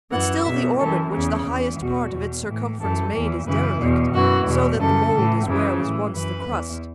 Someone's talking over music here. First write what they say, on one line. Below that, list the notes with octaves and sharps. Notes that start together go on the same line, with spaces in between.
But still the orbit, which the highest part Of its circumference made, is derelict, So that the mould is where was once the crust.
F#2 E3 F#5
E2 B2 E5
F#2 E3 A4
E2 C#3 E3
E2 E3
E2 B2 F#4
E2 B2
A2 E3
F#2 E3 A4
E2 E3
F#2 C#3 E3 B4
E2 B2
F#2 E3 F#4
E2 B2
F#2 C#3 E3 A4
A2 E3
F#2 C#3 E3
A2 E3
F#2 E3 B4
E2 E3